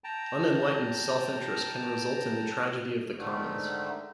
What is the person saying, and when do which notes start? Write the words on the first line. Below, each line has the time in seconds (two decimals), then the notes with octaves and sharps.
Unenlightened self-interest can result in the tragedy of the commons.
0.04 G5 A5 A#5
3.17 G#2 D3 D#3 A3